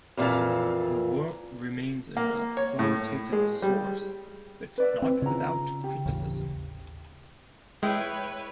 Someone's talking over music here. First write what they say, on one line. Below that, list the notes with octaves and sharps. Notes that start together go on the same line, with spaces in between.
The work remains an authoritative source, but not without criticism.
F2 A#2 E3 F5 A5
A#3
C#5
A2
G#3
G3
B4 D5 E5
C4
C#3 E4 F4 A#5
G4
A1 D#2 C#3
G#3 E4 B4 C#5 G5